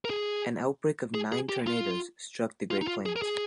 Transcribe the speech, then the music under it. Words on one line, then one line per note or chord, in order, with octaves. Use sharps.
An outbreak of nine tornadoes struck the Great Plains.
A#4
G#4
G#4
G#4
G4
F4
F4
D#4
F4
G#4
A#4
G#4